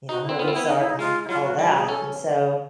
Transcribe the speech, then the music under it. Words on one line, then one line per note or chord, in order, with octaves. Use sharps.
you know, Mozart and all that and so
D#4 F#4
E4
C4
B3 F4
C4
B3 E4
D#4
E4
D#4
G#3 F4
E4
F#3 F4
F#4
G3 E4
F#4
G#4
C#4 A4